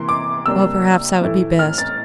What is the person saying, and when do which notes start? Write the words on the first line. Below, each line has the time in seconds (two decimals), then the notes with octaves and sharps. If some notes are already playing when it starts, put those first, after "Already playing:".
Well, perhaps that would be best.
Already playing: C3 E3 A#3 E4 C6
0.09 D6
0.46 C3 G3 A#3 D4 E6
1.21 A2 E3 A3 E4
1.59 F6
1.78 A6